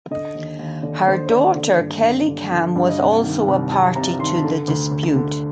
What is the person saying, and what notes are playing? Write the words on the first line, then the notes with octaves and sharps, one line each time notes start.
Her daughter Kelly Kam was also a party to the dispute.
D3 D#5
D#2
D#2
D3 D5
D3 C5
C5
D#2 D5
D3
G2
G2
D3
D3
G2
D#5
C3 F#5
D#3
C2
C2 A5
C3 A#5
D#3 C6
D3
D2
D2
D3